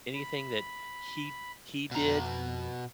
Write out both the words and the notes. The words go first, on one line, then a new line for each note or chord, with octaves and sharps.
Anything that he he did,
B5
F2 B2 A#5